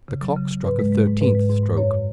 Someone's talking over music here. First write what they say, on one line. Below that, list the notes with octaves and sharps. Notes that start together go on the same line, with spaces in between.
The clock struck a thirteenth stroke.
C#3
F#3
C#3
C#3
G#2 B4
G#3
G#3
G#2
G#2 B4
G#3
G#2
G#2
F#2 C#5